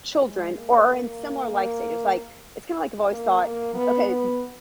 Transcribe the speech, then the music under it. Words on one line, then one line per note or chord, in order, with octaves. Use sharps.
children or are in similar life stages, like, it's kinda, like, I've always thought, okay,
G#3
A#3
A#3
A#3
A#3
B3
B3